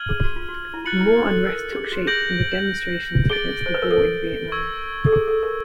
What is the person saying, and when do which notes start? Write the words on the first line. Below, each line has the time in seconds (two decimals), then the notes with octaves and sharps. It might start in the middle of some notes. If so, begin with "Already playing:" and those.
More unrest took shape in demonstrations against the war in Vietnam.
Already playing: F6 G#6 D#7 F#7
0.09 G#4
0.24 F#4
0.36 F4
0.49 F#4
0.74 E4
0.85 F4 F#6 A6 C#7 F#7
1.01 E4
1.16 F#4
1.30 A4
1.46 A#4
1.72 G4
1.76 G#4
1.92 F#4
2.07 G#4 G6 A#6 D7 F#7
3.30 G#4 A6 D7 G7
3.66 C5
3.74 B4
3.82 A#4
3.91 A4
4.52 C#6 E6 G#6
5.06 A4
5.12 G#4
5.28 A4
5.43 A#4